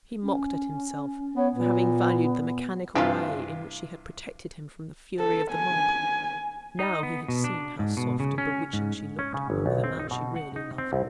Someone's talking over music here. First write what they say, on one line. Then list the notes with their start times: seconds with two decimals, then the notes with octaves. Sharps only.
He mocked at himself, for having valued the mechanical way in which she had protected him from the fury of the mob; now he had seen how soft and bewitching she looked when with a man she really loved.
0.22 C#4
1.36 B3 C#5
1.54 A#2 B3
2.95 G2 C3 E3 F3 G3 F4
5.19 A4
5.52 G#5
6.79 D#4
7.03 B3
7.28 B2
7.44 D4
7.79 G#2
7.97 B2
8.20 C#3
8.38 C#4
8.73 G#2
9.19 C#4
9.34 C#3
9.50 G1
9.66 B1
9.84 C4
9.99 D#4
10.11 B2
10.36 F#5
10.56 D#4
10.78 C4
10.93 C2